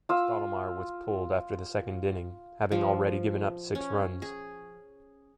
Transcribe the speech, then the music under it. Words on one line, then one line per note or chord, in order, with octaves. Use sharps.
Stottlemyre was pulled after the second inning, having already given up six runs.
F4 E6
F3
C#4
G#4